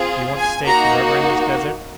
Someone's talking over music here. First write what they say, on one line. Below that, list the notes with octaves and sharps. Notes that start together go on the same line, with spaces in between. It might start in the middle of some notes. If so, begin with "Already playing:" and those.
"Do you want to stay forever in this desert?"
Already playing: C4 F4 G#4
G#5
A#3 D#4 F#4 A#5